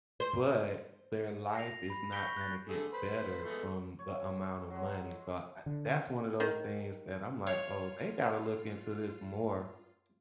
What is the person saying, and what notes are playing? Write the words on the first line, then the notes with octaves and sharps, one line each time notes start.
but their life is not gonna get better from the amount of money," so, eh, that's one of those things that I'm like, "Oh, they gotta look into this more,"
C5
A#6 C7 F7
B5
C#6 G6 A#6 B6 D7 G7
F#6 A6
D3 A3 G#4
B4 C5
G#3 A3 B3
C#5
F#3 G#3
D3
D#3
F4 C#5 F5